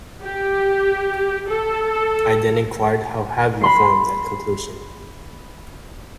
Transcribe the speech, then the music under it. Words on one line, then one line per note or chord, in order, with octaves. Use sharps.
I then enquired how have you formed that conclusion.
G4
A4
B5 C6 C7